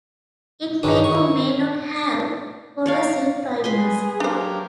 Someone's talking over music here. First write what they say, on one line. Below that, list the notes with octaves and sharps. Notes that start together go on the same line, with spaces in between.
It may or may not have corrosive primers.
G2 D#3 F#3 G#3 D4
D#3 C#6
C#5 D5 F5
G#4 B4 G#5 C6 D#6
F#3 A#3 D4 G4 C5